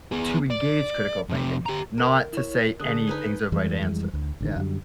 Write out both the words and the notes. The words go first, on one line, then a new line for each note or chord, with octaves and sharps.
to engage critical thinking, not to say anything's a right answer. Yeah.
B3 G#4
D5
F2 C3
G4 A#5
A#4
E4 C#5
D3 G#4 D#6 F#6
D#4 B4 G#5
F2 E3 G3 G#3
D2
A1 D3 D#3
F#2 D3 G3